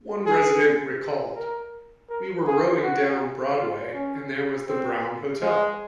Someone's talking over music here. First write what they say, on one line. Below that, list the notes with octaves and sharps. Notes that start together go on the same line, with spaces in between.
One resident recalled: We were rowing down Broadway and there was The Brown Hotel.
G#4
A#4
A#4
G#4
F#4
F4
C#4
C4
G#3